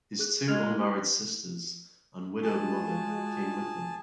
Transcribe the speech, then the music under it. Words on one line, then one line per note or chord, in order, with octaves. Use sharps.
His two unmarried sisters and widowed mother came with them.
G#4 F#6
G#3 F6 G#6 F7
G4
G#3 F4 F#4 G#4 A5